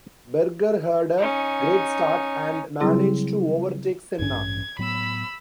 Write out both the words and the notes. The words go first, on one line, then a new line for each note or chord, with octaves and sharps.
Berger had a great start and managed to overtake Senna.
C#4 D#4
C#3 F#3 G3 C4 E4 G#4
A1 G2 C#4 G#6
A2 F#3 B3 B5 E6